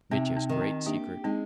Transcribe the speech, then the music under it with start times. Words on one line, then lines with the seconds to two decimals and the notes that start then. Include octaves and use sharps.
Mitya's Great Secret.
0.11 C3 C4 D#4
0.36 C4 D#4
0.49 D#3
0.61 C4 D#4
0.86 A#3 D4 G4
1.24 G#3 C4 D#4